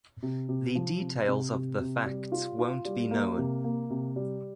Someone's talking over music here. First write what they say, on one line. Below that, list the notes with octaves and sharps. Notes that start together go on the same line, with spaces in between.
The details of the facts won't be known.
C3
C3
F3
C3
C3
C3
C3
G3
F4
F4
G3
A#3
C3
A#3
C3
G3